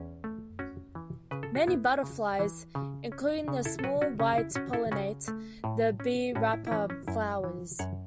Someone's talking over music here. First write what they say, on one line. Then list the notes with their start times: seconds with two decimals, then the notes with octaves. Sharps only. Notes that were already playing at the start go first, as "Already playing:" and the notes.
Many butterflies, including the small white, pollinate the "B. rapa" flowers.
Already playing: E2 C#4
0.24 A3
0.59 C#4 F#4
0.95 E3
1.31 C#3 B4
1.43 A4
1.55 F#4
1.67 B3 E4
2.03 C#3
2.39 E3
2.75 C#3
3.12 C#4
3.48 C#3
3.65 E4 A4
3.79 A4
3.84 F#3 F#4 B4
4.01 C#4 F#4
4.20 C#3 C#4
4.38 E4
4.55 C#4 F#4
4.73 E4 A4
4.92 C#3 C#4 F#4
5.28 A3
5.64 A2
6.00 C#4
6.35 A2 C#4 F#4
6.53 E4
6.67 E4
6.71 E3 C#4
6.90 C#4
7.08 F#2 E4
7.44 E3
7.79 F#2 C#5 F#5